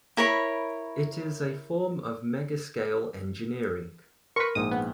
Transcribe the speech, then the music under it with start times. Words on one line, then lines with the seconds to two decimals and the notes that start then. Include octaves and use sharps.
It is a form of megascale engineering.
0.17 E4 A#4 C#5 B5
4.36 A#4 B4 C6 C#6
4.55 A#1 G#2 D#6
4.71 B3